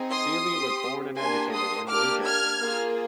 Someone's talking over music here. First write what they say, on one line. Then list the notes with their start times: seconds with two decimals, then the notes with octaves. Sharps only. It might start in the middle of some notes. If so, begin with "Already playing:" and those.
Seely was born and educated in Lincoln.
Already playing: C4 D#4 G#4
0.11 C6 D#6
0.47 C4 G4
1.18 A#3 D4 G4 G#5 C6
1.53 C6 D#6
1.89 A#3 D4 G4 D6 F6
2.25 F6 G#6
2.61 A#3 F4 G#4